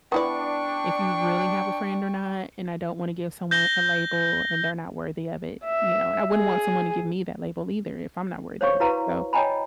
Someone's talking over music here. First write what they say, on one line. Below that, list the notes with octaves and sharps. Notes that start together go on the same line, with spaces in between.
if you really have a friend or not, and I don't wanna give someone a label and they're not worthy of it, you know? And I wouldn't want someone to give me that label either if I'm not worthy of So,
B3 D4 E4 D5 G5 C#6
G6 A#6 G7
E5
G#4
C5 C#5 F5 C#6
E4 F#4 B4 F5 A#5
C#5 D#5 G5 G#5 A#5 B5